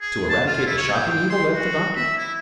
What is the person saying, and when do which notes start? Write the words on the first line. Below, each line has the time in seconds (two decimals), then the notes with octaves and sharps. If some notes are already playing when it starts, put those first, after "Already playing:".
"To eradicate the shopping evil?" laughed the Doctor.
0.02 G#4
0.30 A5
0.46 F4
0.66 E4
0.78 C#5
0.93 C5
1.09 G5
1.30 C6
1.54 F#4
1.96 E5
2.18 E4